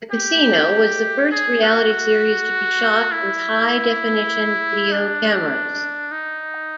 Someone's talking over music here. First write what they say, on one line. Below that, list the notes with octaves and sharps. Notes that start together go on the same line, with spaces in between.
"The Casino" was the first reality series to be shot with high-definition video cameras.
G4
G#4
F#4
E4
D4
D#4